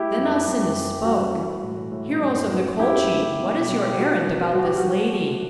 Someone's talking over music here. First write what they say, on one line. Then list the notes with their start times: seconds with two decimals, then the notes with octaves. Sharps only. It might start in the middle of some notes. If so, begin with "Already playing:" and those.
Then Alcinous spoke: "Heroes of the Colchi, what is your errand about this lady?"
Already playing: A3 E4 G4
0.18 F#2
0.47 F#2
0.76 F#2
1.05 G3 F#4
1.34 E3
1.63 A2
1.92 A2
2.21 F#2
2.50 F#3
2.79 F#2 E4 G4
3.08 A3
3.38 B2
3.67 F#3
3.92 G4
3.95 B2 F#4
4.25 F#3
4.54 F#3 F#4
4.65 G4
4.76 F#4
4.83 F#3
5.12 A3